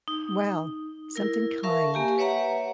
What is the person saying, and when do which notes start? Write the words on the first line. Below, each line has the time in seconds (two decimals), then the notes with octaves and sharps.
Well, something kind?
0.08 D#4
1.16 E4 A#4
1.63 A#4 E5 F5 A5 C#6
1.94 A#3 G4 G#5
2.18 B4 C#5 E5 F#5 A#5